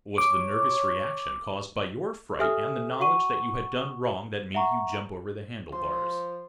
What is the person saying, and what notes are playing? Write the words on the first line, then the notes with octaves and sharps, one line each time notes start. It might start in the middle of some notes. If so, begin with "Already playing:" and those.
It was the nervous reaction caused by your fright, and the knowledge that you had done wrong, that made you jump over the handlebars.
C#5 D6
G4 A4 E5 G#5 D#6 F6
F#4 F#5 C#6 D#7
E5 F#5 A#5 C#6
F3 C6